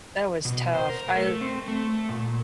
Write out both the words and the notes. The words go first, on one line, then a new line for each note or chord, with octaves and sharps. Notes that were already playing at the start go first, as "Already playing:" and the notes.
That was tough, I l
B2
C5
A#4
A3
C4
A3
A#2